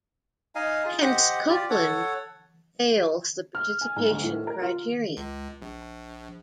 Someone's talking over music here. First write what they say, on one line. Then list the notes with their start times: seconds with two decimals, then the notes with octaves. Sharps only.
Hence, Copeland fails the Participation criterion.
0.55 D#4 D#5 F5 G#5
0.85 F4 G#4
1.02 G4 C5 D#5 F#5
1.49 F4 G4 D5
1.70 A4 C#5 F#5
3.55 F6
3.81 G#5
3.96 G#2
4.11 D2
4.23 A2
4.47 A#4
4.62 F4
5.17 C#2
5.62 A#1